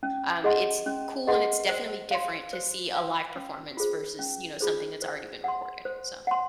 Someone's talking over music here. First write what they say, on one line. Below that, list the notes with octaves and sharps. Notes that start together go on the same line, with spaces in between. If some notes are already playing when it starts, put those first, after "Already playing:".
um, it's cool and it's definitely different to see a live performance versus, you know, something that's already been recorded, so
C#4
G#4 D#5 F#5 C6
C#4
G#4 D#5 F#5 C6
C5
F5 C6
C5
F5 C6
C#4
F4 G#4 C5
C#4
F4 G#4 C5
C5
F#5 C6
C5
F#5 C6